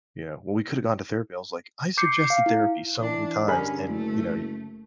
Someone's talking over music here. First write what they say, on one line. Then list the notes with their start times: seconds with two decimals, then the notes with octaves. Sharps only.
"Yeah. Well, we could've gone to therapy." I was like, "I suggested therapy so many times and," you know, "y
1.98 D6 G6 C7 C#7
2.30 F5
2.46 E4
3.00 E3 D4
3.48 G2 D3 C#4 G#4 A#4 B5
3.87 F#1 A3